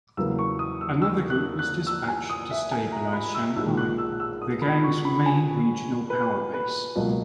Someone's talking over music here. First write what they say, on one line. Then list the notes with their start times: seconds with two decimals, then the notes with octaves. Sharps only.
Another group was dispatched to stabilize Shanghai, the Gang's main regional power base.
0.17 E2 C#3 F#3 A#3 E6
0.39 C#6
0.59 D#6
0.81 E6
1.02 E6
1.30 F#6
1.59 F#6
1.87 E6
2.08 G#5
2.30 D#6
2.50 E5
2.72 G#5
2.92 A#5
3.13 B5
3.35 E6
3.56 B1 A#2 G#3 E6
3.77 F#6
3.98 E6
4.20 E6
4.42 D#6
4.62 B5
4.84 C#6
5.05 B5
5.26 G#5
6.10 B4
6.54 B4
6.95 C#2 B2 F#3 A#3 D#5